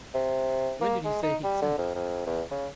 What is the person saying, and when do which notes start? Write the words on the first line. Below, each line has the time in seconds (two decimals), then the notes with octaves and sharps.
"When did he say he'd send it?"
0.14 C3
0.81 A#3
1.05 G#3
1.23 D#4
1.44 G3
1.62 D3
1.78 F2
1.95 F2
2.26 E2
2.51 C#3